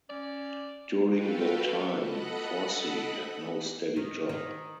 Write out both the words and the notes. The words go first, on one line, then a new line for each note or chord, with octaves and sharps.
During that time Forssi had no steady job.
C#4 D5
F4 F#4 A4 B4 F5 G5
A4 D#5 F#5 B5 F#6
D#3
D#3